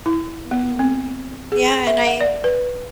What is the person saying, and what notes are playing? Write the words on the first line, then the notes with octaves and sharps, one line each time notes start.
Mm. Yeah, and I
E4
B3
C4
G#4
E5
F#5
D5
B4